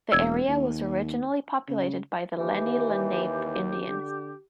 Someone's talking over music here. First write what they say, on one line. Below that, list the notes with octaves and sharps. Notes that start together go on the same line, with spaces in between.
The area was originally populated by the Lenni Lenape Indians.
E1 E6 G#6
D#2
C#3
D#2 E3 G4
D3